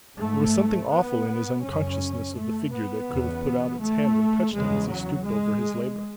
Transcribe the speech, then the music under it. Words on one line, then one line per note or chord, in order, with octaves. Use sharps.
There was something awful in his unconsciousness of the figure that could have put out its hand and touched him as he stooped over his labour.
G#2 A3
B3
F#2 C#3 C#4
A3
B3
E2 C#3
A3
E2 C#3 G#3
F#3
G#3